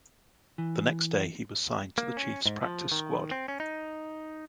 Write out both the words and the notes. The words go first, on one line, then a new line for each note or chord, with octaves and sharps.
The next day he was signed to the Chiefs practice squad.
E3
A#3
C#4
G#2
F3
D#3
C4
C#4
D#4